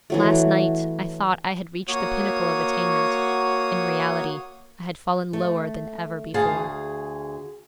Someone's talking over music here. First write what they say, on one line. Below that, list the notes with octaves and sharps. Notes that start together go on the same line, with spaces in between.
Last night I thought I had reached the pinnacle of attainment; in reality I had fallen lower than ever before.
E3 F#3 A3
A#3 F#4 C#5 D#6
A3
D2 G#4 F5 A5